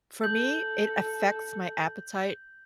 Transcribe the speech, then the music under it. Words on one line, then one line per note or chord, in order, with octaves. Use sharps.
For me, it affects my appetite.
A4 G6 F#7